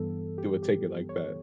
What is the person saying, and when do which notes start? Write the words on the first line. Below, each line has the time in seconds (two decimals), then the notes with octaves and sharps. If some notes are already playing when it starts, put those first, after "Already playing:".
they would take it like that.
Already playing: G2 E3 G3 B3 A4
0.38 G4
0.63 G4
1.09 C#5